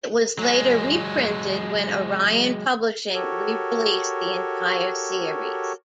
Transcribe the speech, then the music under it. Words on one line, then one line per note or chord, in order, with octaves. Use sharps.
It was later re-printed when Orion Publishing re-released the entire series.
F#3 G#3
F#4 G4 A4 A#4 C#5